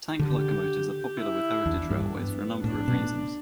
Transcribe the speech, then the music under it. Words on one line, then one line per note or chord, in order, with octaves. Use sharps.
Tank locomotives are popular with heritage railways for a number of reasons.
D3 G4
E4
E2 D4
G2
B3
A2 D4
B2